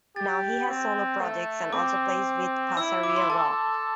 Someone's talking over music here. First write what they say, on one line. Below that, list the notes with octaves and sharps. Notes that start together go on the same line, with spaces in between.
Now he has solo projects and also plays with Pasarea Rock.
G4 A6
C4
A3
C4 D6
E4 E6
D6
C6
A4 A5